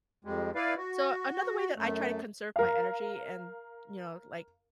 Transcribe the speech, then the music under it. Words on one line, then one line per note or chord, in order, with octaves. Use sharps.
So, another way that I try to conserve my energy and, you know, like,
F2 G3 G#3
E4 B4 D5 F5
F#4
F#2 A3
A#4 F5